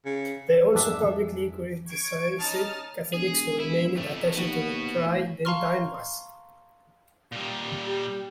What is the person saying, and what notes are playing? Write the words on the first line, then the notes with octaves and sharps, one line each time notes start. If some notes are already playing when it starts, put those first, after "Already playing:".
They also publicly criticised Catholics who remained attached to the Tridentine Mass.
C#3
G#1 F2 D4 G#4 E5
C#6 G#6 D7
C#4 D#4 A5 D#6 F6 A6
E1 G#4
E4
F2 A3
D#2 B3 F#4
A2
F5 A5 A#5 C6 C#6 F6
A#2 G3
G4